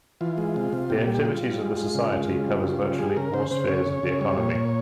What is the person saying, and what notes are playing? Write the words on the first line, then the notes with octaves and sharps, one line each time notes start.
The activities of the society covers virtually all spheres of the economy.
E3 F4
G#3
C3
C3
A#2 G4
G3
G4
G3 F4
G3
G#3
G#3
C#3
G#3
C#3
G3
C#3
G3
G3 G#4
C#3 A#4
C#3 C5
C#3 C5
C#3 C#5
C#3
C#3
G3
A#2
A#2